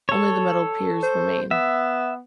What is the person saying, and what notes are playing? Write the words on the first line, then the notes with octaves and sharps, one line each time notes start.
Only the metal piers remain.
A4 C#5
C5
B3 E5